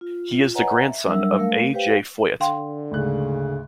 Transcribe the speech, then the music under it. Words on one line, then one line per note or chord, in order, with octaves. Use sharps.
He is the grandson of A. J. Foyt.
F4
B4 C#5 D#5 F#5 G#5 A#5
E5
F#3 G3 D4 A#4 E5 E6
A3 A#4 F5
G4 B4 C5 F5 G5
D3 F5 G5 C6
D2 G#2 C#3 F#6